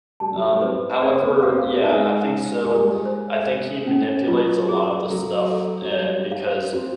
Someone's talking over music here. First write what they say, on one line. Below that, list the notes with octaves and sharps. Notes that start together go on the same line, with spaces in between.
Um, however yeah, I think so I think he manipulates a lot of the stuff and because
G3 A5
F#3
G3
C4 B4
C4 D5
B3
C4 F5
B3
G#3 D#4
D#4
G#3 G4
G3
G#3
C5
C5
C#4
F#3 F4
G#4
F#3 A4
A4
F#3
G3 C#5
F5
C4 F#4